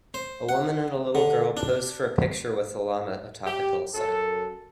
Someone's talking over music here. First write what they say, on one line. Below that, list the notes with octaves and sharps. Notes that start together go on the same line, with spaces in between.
A woman and a little girl pose for a picture with a llama atop a hillside.
C5
F#5
D3
D4
G4
F#2 A4